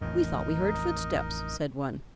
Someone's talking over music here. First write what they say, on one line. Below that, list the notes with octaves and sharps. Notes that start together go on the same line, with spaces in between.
"We thought we heard footsteps," said one.
A1 F2 D#4 A#4 D#5